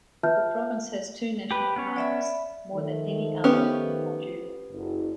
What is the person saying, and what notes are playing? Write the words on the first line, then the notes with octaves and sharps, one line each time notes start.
The province has two national parks, more than any other in Algeria.
F4 B4 E5 A5 F6 G6
G4 B4
B3 C#4 C#5
D5 E5 B5
D#3 F3 A3
B3 C#4 G4
F#1